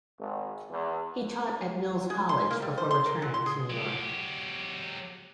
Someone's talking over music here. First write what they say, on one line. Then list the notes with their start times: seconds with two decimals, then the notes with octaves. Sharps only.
He taught at Mills College before returning to New York.
0.19 G#1
0.70 E2
2.10 G#4
2.29 C6
2.51 A#3
2.62 G3
2.78 C5
2.91 C6
3.06 A#4
3.22 F#3
3.34 C6
3.46 G#4
3.70 F#3 G4